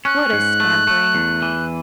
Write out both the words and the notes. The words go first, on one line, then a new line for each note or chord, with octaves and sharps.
What a scampering!
C#4 F#6
G#2
A3
A3
E2
E3